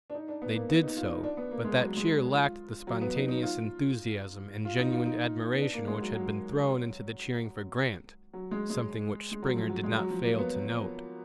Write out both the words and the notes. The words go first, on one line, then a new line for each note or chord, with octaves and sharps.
They did so, but that cheer lacked the spontaneous enthusiasm and genuine admiration which had been thrown into the cheering for Grant, something which Springer did not fail to note.
D4
D#4
D4
B3
A#3
B3
D#4
F4
D#4
D4
B3
A#3
G#3
F#3
G#3
F4
F#3
B3
D#4
D#4
F4
F4
D#4
F4
D#4
B3
D4
A#3
G#3
F#3
F#3
F#3
G#3
G#3
G#3
F#3
F3
F#3
G#3
F#3
F3
A#3
B3